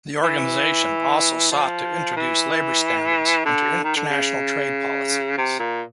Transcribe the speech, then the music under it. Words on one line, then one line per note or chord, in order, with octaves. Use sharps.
The organization also sought to introduce labour standards into international trade policies.
E3
F3
E3
D3
D#3
D3
C#3
C3
A#2